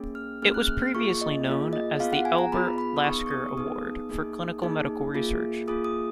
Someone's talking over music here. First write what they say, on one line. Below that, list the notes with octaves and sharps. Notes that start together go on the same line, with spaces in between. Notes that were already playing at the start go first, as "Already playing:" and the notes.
It was previously known as the Albert Lasker Award for Clinical Medical Research.
Already playing: A#3 C#4 G#4
F6
A#3 C#4 G#4 F6
F#6
F6
A#3 F4 G#4 C#6
D#5
A#3 F4 G#4
D#5
B3 F4 G#4 F5
F#5
G#5
A#5
B3 F4 G#4 B5
B5
D#6
B3 D#4 G#4 C#6
C#6
D#6
B3 D#4 G#4 D#6
A#3 D#4 G#4
A#3 D#4 G#4
A#3 F4 G#4
A#3 F4 G#4 D#6
D#6